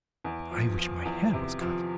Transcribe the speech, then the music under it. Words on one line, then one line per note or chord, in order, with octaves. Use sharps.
I wish my hair was cut!
E2
F3
F3
E2
C3
F3